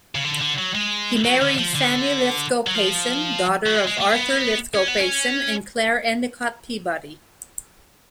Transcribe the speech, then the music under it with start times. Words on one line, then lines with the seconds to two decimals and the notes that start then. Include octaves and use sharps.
He married Fannie Lithgow Payson, daughter of Arthur Lithgow Payson and Claire Endicott Peabody.
0.15 C#3
0.24 D3
0.41 D3
0.59 F#3
0.75 G#3
1.25 F#3
1.41 D3
1.59 F3
1.75 D3
2.67 F#3
2.75 F3
3.67 F#3
3.75 G#3
3.87 G#3
4.00 A3
4.12 B3
4.75 C#4
4.88 B3
5.01 C#4